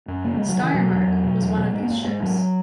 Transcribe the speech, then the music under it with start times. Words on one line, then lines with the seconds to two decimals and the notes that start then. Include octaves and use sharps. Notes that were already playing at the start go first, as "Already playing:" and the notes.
"Steiermark" was one of these ships.
0.08 F#2
0.24 C#3 A#3
0.37 C#3 G#3
0.49 F#3
0.58 C#3 E3
0.74 B2 F#3
0.91 E2
1.07 E2
1.24 B2
1.41 E2
1.56 B2
1.73 G#2 G#3
1.83 B3
1.90 G#2 A#3
2.07 G#2 G#3
2.23 G#2 F#3